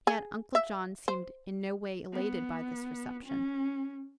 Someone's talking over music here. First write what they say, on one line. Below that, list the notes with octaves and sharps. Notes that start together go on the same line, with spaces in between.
Yet Uncle John seemed in no way elated by this reception.
G#4
E5
C5
B3
C#4